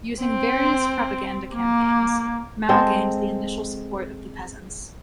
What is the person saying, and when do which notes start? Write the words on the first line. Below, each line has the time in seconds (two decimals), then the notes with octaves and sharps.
Using various propaganda campaigns, Mao gained the initial support of the peasants.
0.22 C4
1.54 A#3
2.69 G#3 C4 A4 C5